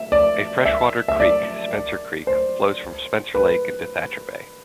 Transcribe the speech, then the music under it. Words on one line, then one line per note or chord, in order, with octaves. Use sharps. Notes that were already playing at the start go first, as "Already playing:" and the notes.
A freshwater creek, Spencer creek, flows from Spencer Lake into Thatcher Bay.
Already playing: E5
D5
E5
E5
D5
C5
B4